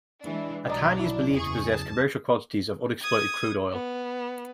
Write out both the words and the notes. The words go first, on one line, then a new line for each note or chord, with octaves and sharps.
Atani is believed to possess commercial quantities of unexploited crude oil.
E3 G#3 D4
B1 F#3 D4 D5 D#5 A#5
E4
F#1 E2 G#4 C#6
A5
D#6 G#6
B3